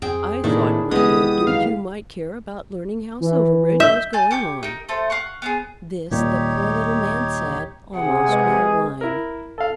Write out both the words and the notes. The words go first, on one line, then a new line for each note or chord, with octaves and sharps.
"I thought, my Lord Duke, you might care about learning how Silverbridge was going on." This the poor little man said almost with a whine.
F2 C4 G#4 G5
A2 D#3 A#3 C4 D4 E4 G#4
C2 E3 G#3 B3 G4 D#6
F#2 D#3 F5
E3
E5 G6
G#5 A5 G6
G4 C#5 D6 G6
D#4 A#4
A3 A4 C5
F5 F#5 C#6
B3 C4 G#4
D#1 A#2 D#4 G4 C#5
C3 G#4 F#5
G#3 B4 D#5
E4 A#4
A4 F5